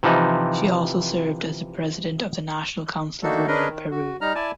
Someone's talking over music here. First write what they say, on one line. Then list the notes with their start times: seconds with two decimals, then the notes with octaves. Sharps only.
She also served as the president of the National Council of Women of Peru.
0.03 C3 E3 F3 D#4
3.23 A3 A#3 D4 D#4 F#4 A4
3.47 C#4 D4 G#4 A#4 B4 D#5
3.69 D#3
3.91 F#4
4.21 G3 D#4 A#5 F6
4.35 E4 D5 G#5 A5